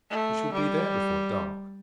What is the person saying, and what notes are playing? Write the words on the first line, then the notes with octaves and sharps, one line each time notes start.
'We shall be there before dark.'
A3
G3